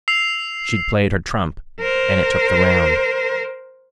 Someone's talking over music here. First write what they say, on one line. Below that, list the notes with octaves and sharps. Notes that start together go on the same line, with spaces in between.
She'd played her trump, and it took the round.
E6 C7 F7
A#4 C5